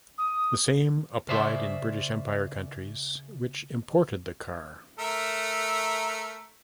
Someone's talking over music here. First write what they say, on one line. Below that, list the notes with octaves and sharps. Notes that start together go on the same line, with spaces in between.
The same applied in British Empire countries which imported the car.
D#6
C#3 C5 D5 E5 A#5 C6
A3 A#4 E5